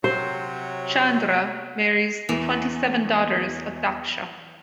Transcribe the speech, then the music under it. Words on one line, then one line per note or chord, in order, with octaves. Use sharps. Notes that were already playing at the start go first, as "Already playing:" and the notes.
Chandra marries the twenty-seven daughters of Daksha.
C3 F#3 C5
E2 E3